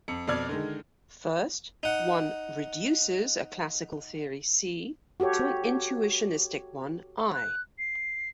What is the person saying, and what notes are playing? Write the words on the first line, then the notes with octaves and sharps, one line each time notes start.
First, one "reduces" a classical theory C to an intuitionistic one I.
F2 C#7
F2 B2 D5 F6 G#6
D3 D#3 G#3
D#4 F#5
F#4 G4 A4 C#5
F#6
C7